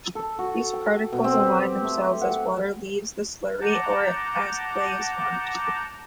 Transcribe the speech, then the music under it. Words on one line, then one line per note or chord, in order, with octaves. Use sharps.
These particles align themselves as water leaves the slurry, or as clay is formed.
A4
F#4
G5
B2
C4
G4
A3
F#5
F#5 A5 A#5 D6 G6